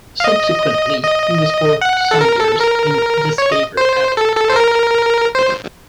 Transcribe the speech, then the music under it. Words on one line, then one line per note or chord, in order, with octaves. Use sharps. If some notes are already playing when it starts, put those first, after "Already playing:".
Subsequently he was for some years in disfavour at court.
F5
D#5
D#5
F#5
A4
A#4
A4
A#4
C#5
D#5
C5
A4
A4
C5
A#4
C5